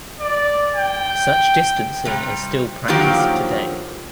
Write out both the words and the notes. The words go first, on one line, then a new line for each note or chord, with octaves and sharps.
Such distancing is still practiced today.
D5
G5
C3 G3
D3 D#3 F3 F#3 A#3 G4